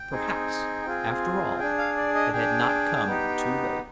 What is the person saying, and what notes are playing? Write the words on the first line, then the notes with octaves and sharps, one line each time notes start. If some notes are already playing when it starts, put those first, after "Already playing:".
Perhaps, after all, it had not come too late.
Already playing: G5
C4 D#4 G#4
C4 F4 G#4
D4 G#4 G5
F5
D5
D#5
D4 G#4 G5
B3 D#4 G4